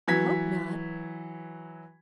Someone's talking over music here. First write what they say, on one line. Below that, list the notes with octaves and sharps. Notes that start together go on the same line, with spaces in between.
"I hope not."
E3 F#3 G#6 B6